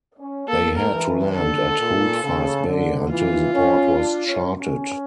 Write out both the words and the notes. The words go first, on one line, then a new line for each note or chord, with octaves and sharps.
They had to land at Holdfast Bay until the port was charted.
C#4
A#3 A4
A#4
E3
D3 A4
A#2
C#3
D3
E3 F4
C#4
D4
C#4
C#4